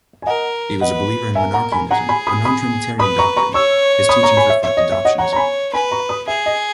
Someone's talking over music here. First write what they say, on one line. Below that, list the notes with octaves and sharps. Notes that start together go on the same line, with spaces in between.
He was a believer in monarchianism, a nontrinitarian doctrine; his teachings reflect adoptionism.
G#5
A#4 D#5 F#5
B4 D#5 F#5
A#4 E5 G#5
F#5 A#5
G#5 B5
G#4 F#5 A#5
G#5 B5
B5 D#6
B5 D#6
B4 B5 D#6
A#5 C#6
A#5 C#6
C#5 C#6 E6
B5 D#6
A#5 C#6
G#5 B5
E5
C#5 E5
D#5
E5
D#5 F#5
C#5 F#5 A#5
A#5
G#5 B5
B4 G#5 B5
A#5 C#6
B5 D#6
G#4 E5
D#5